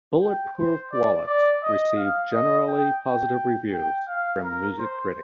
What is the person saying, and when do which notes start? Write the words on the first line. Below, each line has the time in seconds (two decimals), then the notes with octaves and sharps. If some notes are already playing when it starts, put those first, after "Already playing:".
"Bulletproof Wallets" received generally positive reviews from music critics.
0.22 G5
0.58 C5
0.92 D5
1.27 D5
1.63 D#5
1.97 F5
2.33 D#5
2.68 G5
3.03 G5
3.73 G5
4.08 F5
4.44 A#4
4.79 C5